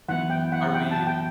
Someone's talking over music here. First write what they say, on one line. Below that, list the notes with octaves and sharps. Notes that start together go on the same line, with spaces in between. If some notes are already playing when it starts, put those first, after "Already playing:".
are we
F#2 E3 B3 E4 F#5
G5
F#5
F#5
G5
A5
G5